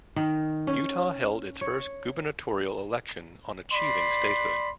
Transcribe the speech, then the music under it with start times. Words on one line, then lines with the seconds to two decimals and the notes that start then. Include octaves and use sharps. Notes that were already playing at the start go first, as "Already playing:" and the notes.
Utah held its first gubernatorial election on achieving statehood.
0.16 D#3
0.67 C#4
1.61 C#5
3.73 D5 B5 C6